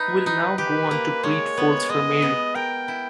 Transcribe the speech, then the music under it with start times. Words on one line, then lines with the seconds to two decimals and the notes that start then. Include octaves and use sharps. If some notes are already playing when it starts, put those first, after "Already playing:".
Will now go on to breed foals for Mary.
Already playing: D#4 E4 B4
0.26 D#4
0.58 G4 B4
0.91 A#3
1.24 G#3 C#5
1.57 B3
1.89 G#3 D#5
2.22 B3
2.55 A#4 G5
2.88 E4